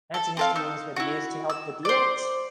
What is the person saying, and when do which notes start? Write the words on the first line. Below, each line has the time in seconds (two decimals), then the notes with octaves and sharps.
Antihistamines may be used to help with the itch.
0.14 A4
0.37 C4 A4 F5
0.56 D#4 E6
0.96 E4 F#4
1.50 E6
1.85 C5 D5